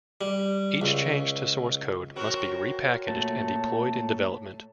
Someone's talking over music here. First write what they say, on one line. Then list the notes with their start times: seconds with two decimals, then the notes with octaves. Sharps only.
Each change to source code must be repackaged and deployed in development.
0.21 G3
0.82 C#2
2.16 C4 F#4 A#4 C#5
3.07 A#2 A3 A5